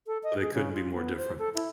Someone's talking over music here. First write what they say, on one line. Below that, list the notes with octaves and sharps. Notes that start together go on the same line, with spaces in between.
They couldn't be more different.
A4
D#5
G#4
C#3
F4
B3
C5
A4
E4